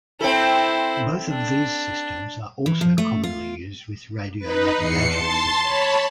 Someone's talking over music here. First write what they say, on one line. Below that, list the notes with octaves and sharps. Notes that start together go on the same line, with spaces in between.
Both of these systems are also commonly used with radio navigation systems.
C4 E4 A4 C5
D4
E3
F3
A3
F4
D#4 B4
E2 C7 C#7
A5 C6 A6
C#5 A5 B5